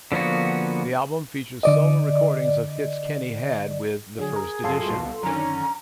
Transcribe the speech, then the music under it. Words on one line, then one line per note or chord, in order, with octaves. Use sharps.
The album features solo re-recordings of hits Kenny had with The First Edition.
D3 F3 A#3 B3 F#4
D3 D5 D#5
D3 F#3 G#4
A#4
F#2 F4 A4 C6
C2 B2
F#2 D3 D#3 C#4 A#5